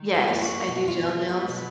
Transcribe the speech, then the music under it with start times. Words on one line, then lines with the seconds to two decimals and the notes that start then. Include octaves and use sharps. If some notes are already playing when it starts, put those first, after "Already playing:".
Yes. I do gel nails,
Already playing: D#3
0.14 F4
0.28 G3 A#3
0.35 F4
0.41 F#4
0.68 B2 F#4
0.88 F4
1.08 G#3 F4
1.29 B3
1.48 B2 B3